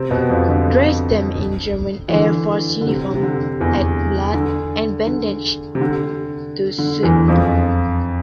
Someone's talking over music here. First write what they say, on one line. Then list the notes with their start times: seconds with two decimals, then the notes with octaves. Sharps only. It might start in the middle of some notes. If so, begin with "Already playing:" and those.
Dress them in German Air Force uniform, add blood and bandages to suit.
Already playing: C3 C4
0.10 B2 B3
0.29 F2 F3
0.48 D3
2.08 E3
2.13 D3
2.81 D3
2.87 C3
3.15 C3
3.23 D3
3.60 E2 E3
4.34 D3
5.07 D3
5.75 C3
5.81 D3
6.78 D3
7.03 E2 E3
7.28 F2 F3